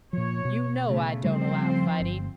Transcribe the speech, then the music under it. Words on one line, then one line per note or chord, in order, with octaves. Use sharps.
"You know I don't allow fighting."
A#2 F3 C#5
B2
C#3 A3
C#3 F3 G3 A3 C4 C5
G1